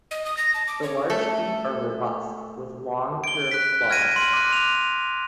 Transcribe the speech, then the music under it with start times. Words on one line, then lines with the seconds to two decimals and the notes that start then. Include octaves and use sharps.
The large feet are robust, with long curved claws.
0.11 D#5
0.25 D#6
0.37 A#6
0.54 A5
0.67 D6
0.83 C#5
1.10 A3 A4
3.24 D7 G7
3.51 F#6 B6
3.90 F6 G#6 A#6 D#7
4.16 C6 D#7
4.33 D6 F#6
4.53 F7